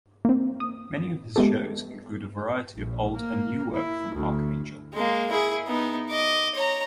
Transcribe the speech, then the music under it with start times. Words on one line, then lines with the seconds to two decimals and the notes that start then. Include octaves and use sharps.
Many of his shows include a variety of old and new work from Arcangel.
0.25 A#3 C4
0.60 D#6
1.36 G#3 A3 B3 G4 A4
2.74 A#1
3.15 A#3
3.73 E4
4.15 D2
4.94 G#3 A#3
5.31 E4 G#4
5.67 B3 D#4
6.10 D#5 D6
6.55 C#5 A#5